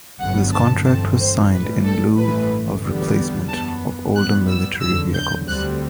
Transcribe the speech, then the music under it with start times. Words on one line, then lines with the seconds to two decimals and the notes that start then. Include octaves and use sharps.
This contract was signed in lieu of replacement of older military vehicles.
0.20 G1 F#2 D3 F#3 B3 F#5
0.53 A5
0.86 G1 G2 E3 A3 C4 A5
1.19 C5
1.52 A1 A2 E3 G3 B4
1.85 A4
2.18 A1 G2 E3 A3 B4
2.83 E2 D3 G3 B3
3.49 F#2 E3 B3 A5
4.15 F#2 E3 G3 B3 F#6
4.49 E6
4.81 E2 D3 F#3 E6
5.15 G6
5.47 D2 D3 G3 C4 F#6